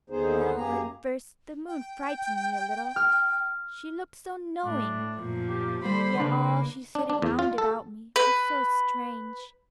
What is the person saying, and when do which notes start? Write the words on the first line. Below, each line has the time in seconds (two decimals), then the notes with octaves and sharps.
Well, at first, the moon frightened me a little--she looked so knowing, and yet all she said round about me was so strange.
0.10 D#2 D3 B3 D#4 G#4 C5
0.57 F#2 A#3 G4 G#4 A#5
1.68 G5
2.96 F6
4.64 A2 D4
5.18 F#2 A#2 F3
5.49 G4
5.85 D3 G3 C5 B5
6.18 C#3 A#3 D4 B4 C6
6.95 D4
7.10 D4
7.22 E2
7.39 F4
7.58 A4
8.16 B4